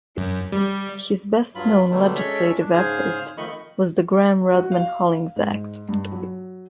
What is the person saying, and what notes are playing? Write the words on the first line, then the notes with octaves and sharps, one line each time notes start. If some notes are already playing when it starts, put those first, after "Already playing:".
His best-known legislative effort was the Gramm-Rudman-Hollings Act.
F#2
G3
G2 F#3 F4 B5
B2 D3 F#3 G3 A3
G#3 C#4 A4 C#5 E5
D4
G#2 C#3 G#4 C5 G#5 F6
D#3 F3 A3 D#5 B5 C#6
F#4
F5
G#2
G2
F#3